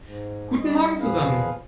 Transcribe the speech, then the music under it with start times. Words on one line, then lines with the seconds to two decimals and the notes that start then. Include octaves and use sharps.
Guten Morgen zusammen!
0.03 G#2
0.59 G3 D#5
1.00 E2 A#2 F3 G#4 B4 F5